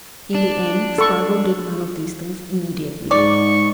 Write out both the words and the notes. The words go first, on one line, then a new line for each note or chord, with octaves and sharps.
In the end Spargo did none of these things immediately.
D4
A4 C#6
G#2 D#4 D5 C#6